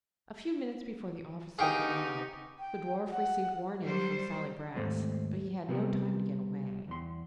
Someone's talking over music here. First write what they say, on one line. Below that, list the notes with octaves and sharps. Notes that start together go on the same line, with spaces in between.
A few minutes before the officers arrived the dwarf received warning from Sally Brass, but he had no time to get away.
B3 D#4 G4 G#4 D#5 F5 G5 C#6
G5
F#5
F#3 G3 C5
D#2 G#2 A3 C4
C3 G3 B3 A#4
E2 C6